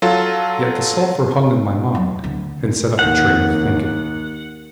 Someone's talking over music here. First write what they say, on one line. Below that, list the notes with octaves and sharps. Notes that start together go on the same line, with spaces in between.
Yet the sulphur hung in my mind, and set up a train of thinking.
F#3 F4 A4
F#3
D2
D#2 F#5